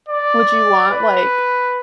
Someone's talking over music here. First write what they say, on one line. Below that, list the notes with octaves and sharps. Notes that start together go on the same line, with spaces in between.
Would you want, like,
D5
B4